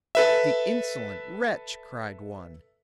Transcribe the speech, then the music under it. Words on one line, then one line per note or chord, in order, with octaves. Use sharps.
"The insolent wretch!" cried one.
A4 B4 E5